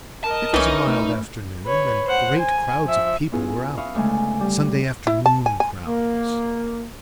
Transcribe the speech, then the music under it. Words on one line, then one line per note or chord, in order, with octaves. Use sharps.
It was a mild afternoon and great crowds of people were out. Sunday afternoon crowds.
A#4 D#5 A5
C2 E3 C#4 D#4
A3
B4 C#5
C5 F#5
G#5
F3 E5
B3 C#4 E4 F4 G#4 B4
E5 F5 B5 C#6 D#6 E6
D2 C#3 G#3 A3 G#5
G3
E4
A5
G#5
G#5
A#3